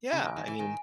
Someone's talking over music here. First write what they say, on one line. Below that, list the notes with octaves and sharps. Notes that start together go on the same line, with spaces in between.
Yeah, I mean
C#3 G#5
D#3
G#5
D#3
E3 G#5
D#3 G#5